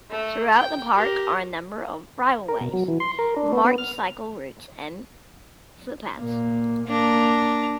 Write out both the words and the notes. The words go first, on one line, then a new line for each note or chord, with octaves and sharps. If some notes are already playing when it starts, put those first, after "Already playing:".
Throughout the park are a number of bridleways, marked cycle routes and footpaths.
A3
G5
G4 A#4
A#4
B2
F#3
E3
C6
A#4
D4
B3
B3
F6
A#2 A#3
A#3 D4 A#5